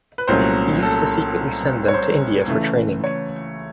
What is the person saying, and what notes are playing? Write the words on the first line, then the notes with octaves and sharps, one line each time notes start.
He used to secretly send them to India for training.
B4
C2 A#2 F#3 A3 C#4 C5
A4
C#5
C5
C#3 E3 A3
C#5